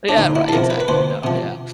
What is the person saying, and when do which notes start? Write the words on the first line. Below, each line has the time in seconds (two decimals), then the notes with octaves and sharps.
Yeah, right, exactly no, yeah.
0.09 D4
0.17 D2 D#4
0.35 E4
0.49 A4
0.53 C3 F3 A#4
0.70 B4
0.80 B4
0.88 D2 C5
1.24 C3 F3